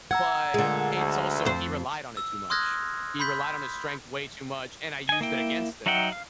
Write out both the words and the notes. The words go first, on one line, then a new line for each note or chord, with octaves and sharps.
But it's also he relied on it too much. He relied on his strength way too much, and I used that against him.
F#5 A#5 E6 G#6
A#2 D3 G#3
D2
F2 C5
E6
C6 D#6 F6 F#6 G#6 A#6
B5 C6 G6 B6
D#5 G#5
A#3 E4 G5
F#3 D#4 E5 F#5 G5
F5